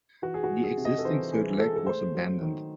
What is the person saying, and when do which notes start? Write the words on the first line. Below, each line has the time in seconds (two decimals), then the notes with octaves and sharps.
The existing third leg was abandoned.
0.22 E3 F#4
0.34 G#4
0.44 F#4
0.51 G#3
0.64 G#4
0.77 C3
0.85 D#5
0.98 A4
1.05 E3 C5
1.32 E3 G#4
1.59 G#3 A4
1.76 A4
1.86 A3 C5
2.14 F#3
2.41 D#3